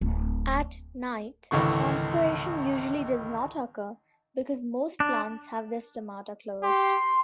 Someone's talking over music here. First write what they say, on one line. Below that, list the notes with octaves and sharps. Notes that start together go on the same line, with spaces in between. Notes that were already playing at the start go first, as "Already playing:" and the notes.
At night, transpiration usually does not occur because most plants have their stomata closed.
D1 C4
G#1 C#2 D3 E3 C#6
D4
G4 C6